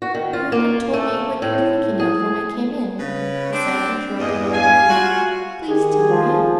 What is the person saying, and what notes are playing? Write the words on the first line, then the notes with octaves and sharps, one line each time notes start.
"But you haven't told me what you were thinking of when I came in," he said, interrupting his narrative; "please tell me!"
F#4
D#3
F4
A#3
A3
A2
G#4
C#3 B4
C4 D4
E2 G2 G#4 D#5
F5 G#5
G3 F4 F#4
D#3 G4 G#4
F3